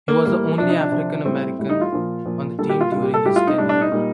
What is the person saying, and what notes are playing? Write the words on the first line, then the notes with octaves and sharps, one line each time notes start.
He was the only African American on the team during his tenure.
A#3
A2 G3 A#3
C3 F3 D4
D#4
D4
C3 F3
A2 G3 C4
A2 G3
D#4
F4
A#2 F3
A#2 F3
A#2 G3 A4
G4
F4
A#2 G3 F4
G4
A4
A2 G3 G4
F4
D#4
A2 G3 D4
D4
D#4
A#2 G3